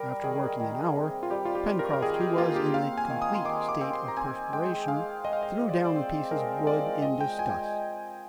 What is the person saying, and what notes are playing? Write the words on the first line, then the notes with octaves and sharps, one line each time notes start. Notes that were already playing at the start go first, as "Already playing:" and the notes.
After working an hour, Pencroft, who was in a complete state of perspiration, threw down the pieces of wood in disgust.
Already playing: G3 A#4
D#3 G#4
D#3
C3
F4
G3 G4
F4
G4
G3
A#4
A#4
D#3 G#4
G4
A#3 F4
G4
C4 F5
G#5
D#3
D#6
C6
D#3 D6
D6
C4
C6
A#5
C4 G#5
G#3 G5
G#3 F5
G#3 D#5
F5
D#5
F4 D#5
D5
C5
D5
C4
G#3 A#4
F4 D5
F4 D#5
G5
F4 G#5